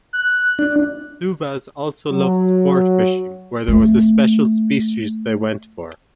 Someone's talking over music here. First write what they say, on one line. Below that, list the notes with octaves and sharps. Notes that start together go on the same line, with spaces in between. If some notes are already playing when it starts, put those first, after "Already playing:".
Subas also loved sport fishing where there was a special species they went for.
F#6
D4
F#3
A3 C4